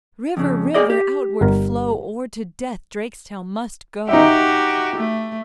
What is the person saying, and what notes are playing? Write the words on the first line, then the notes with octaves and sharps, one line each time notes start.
'River, River, outward flow, Or to death Drakestail must go.'
F2 C#3
G#4 D5 D#5
G4
G1 A#4
D#4 F#4 G4 E5
A3